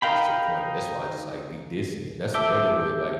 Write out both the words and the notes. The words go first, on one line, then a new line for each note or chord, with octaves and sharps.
gets to a point, that's why I just like be distant, and that's another way, like,
D#4 A#4 F5 G5 B5
A4 E5 D6 G6